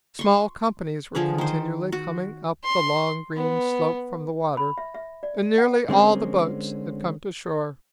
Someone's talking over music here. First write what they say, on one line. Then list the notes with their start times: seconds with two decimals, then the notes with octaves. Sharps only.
Small companies were continually coming up the long green slope from the water, and nearly all the boats had come to shore.
0.19 C6 C#6
1.15 D3 F3 G#4 B4
1.38 D#3 C5
1.92 F#4
2.64 C6
3.37 B3
4.57 B5
4.78 E5
4.94 E5
5.23 D5
5.58 F#5
5.89 D3 G#3 C4 C#4 A#4